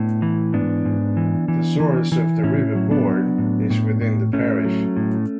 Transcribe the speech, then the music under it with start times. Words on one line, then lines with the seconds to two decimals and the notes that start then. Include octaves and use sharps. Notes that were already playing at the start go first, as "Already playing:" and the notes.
The source of the River Bourne is within the parish.
Already playing: A2 B3 D4
0.22 E3
0.53 G#2 B3 D4
0.85 G#2
1.17 E3
1.48 E3
1.80 E3
2.12 E3
2.43 A2 C#4 E4
2.75 F#3
2.91 B3 D4
3.07 F#3
3.38 A2
3.70 A2
4.01 A2
4.33 A2 A3 C#4
4.65 F#3
4.97 A2